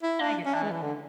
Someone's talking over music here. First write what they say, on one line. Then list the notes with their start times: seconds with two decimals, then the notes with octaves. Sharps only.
and I get that
0.03 E4
0.20 D4
0.46 C#4
0.54 D4
0.63 G#3
0.71 E3
0.82 D3